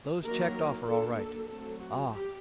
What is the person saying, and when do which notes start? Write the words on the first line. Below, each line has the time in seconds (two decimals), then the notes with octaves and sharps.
"Those checked off are all right."
0.24 D#3 F#3 A#3 A#4
0.86 F#3 A#3 D4 A4
1.17 A4
1.48 F#3 A3 C4 A4
1.80 F#4
2.10 G4